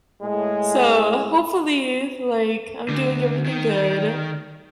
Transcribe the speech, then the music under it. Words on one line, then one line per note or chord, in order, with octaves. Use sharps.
so, hopefully, like, I'm doing everything good.
A2 G#3
D2 D3
D#3